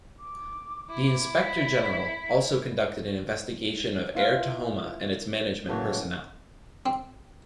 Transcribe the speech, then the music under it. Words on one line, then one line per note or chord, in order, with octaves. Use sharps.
The Inspector General also conducted an investigation of Air Tahoma and its management personnel.
D6
E4
B6
E4 F4 B4 F5
A2 C#3 E3 F#3 A3 A#3
C4